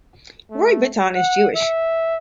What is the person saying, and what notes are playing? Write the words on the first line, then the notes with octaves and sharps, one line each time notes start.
Roy Bittan is Jewish.
A3
F#5
E5